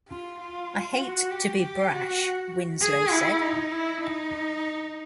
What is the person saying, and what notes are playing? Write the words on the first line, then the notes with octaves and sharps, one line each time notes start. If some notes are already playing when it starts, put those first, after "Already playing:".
"I hate to be brash", Winslow said.
F4
F4
F#4
G4
G4
F#4
G#4
E4
D#4
E4
D#4